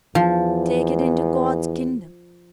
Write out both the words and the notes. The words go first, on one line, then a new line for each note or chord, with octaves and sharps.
Take it into God's kingdom!
E2 F3